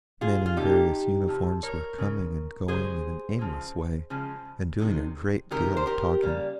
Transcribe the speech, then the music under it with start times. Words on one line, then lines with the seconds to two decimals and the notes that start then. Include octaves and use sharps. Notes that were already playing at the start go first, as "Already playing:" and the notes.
Men in various uniforms were coming and going in an aimless way, and doing a great deal of talking....
0.21 F4 G#4
0.46 F4
0.57 C3 F3 A#3 D#4 G4
1.28 C3 F3
1.63 A#4 C#5
1.98 C#3 G#3
2.68 C#3 G#3 G#4 C5
3.39 C#3 F3 G#3
4.10 C#3 F3 G#3
4.80 C3 D#3 G#3
5.51 C3 D#3 G#3 G4 A#4
5.77 C5
5.86 G4 A#4
6.22 C#3 G3 A#3